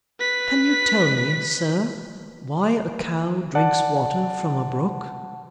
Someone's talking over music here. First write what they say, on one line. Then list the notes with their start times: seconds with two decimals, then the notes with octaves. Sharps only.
"Can you tell me, sir, why a cow drinks water from a brook?"
0.19 B4 B6
3.55 D5 F#5 A5